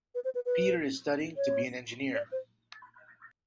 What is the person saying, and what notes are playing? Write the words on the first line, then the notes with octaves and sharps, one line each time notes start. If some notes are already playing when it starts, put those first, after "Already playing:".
Peter is studying to be an engineer.
B4
C5
B4
B4
C#5
C#5
D5
C5